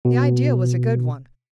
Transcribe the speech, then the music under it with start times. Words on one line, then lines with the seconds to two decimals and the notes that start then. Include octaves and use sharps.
The idea was a good one.
0.05 B2